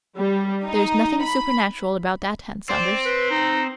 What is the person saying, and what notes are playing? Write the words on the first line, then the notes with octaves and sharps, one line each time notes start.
There's nothing supernatural about that hand, Saunders.
G3
D#4
B5
C4 D5
B4
D#4